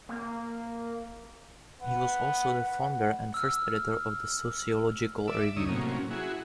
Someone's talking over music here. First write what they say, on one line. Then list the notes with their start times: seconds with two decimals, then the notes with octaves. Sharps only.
He was also the founder and first editor of "The Sociological Review".
0.09 A#3
1.81 B4 F#5
3.34 E6 F6
5.28 D5 E5 E6
5.56 D2 D#4 C#5 D#6 E6
5.69 A2 C3 F#3 A#3 C#4
6.11 E4 F#4 G#4